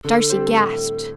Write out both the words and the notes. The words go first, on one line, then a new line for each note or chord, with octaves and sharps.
Darcy gasped.
D3 A4
G3 C4 G4 C5
A2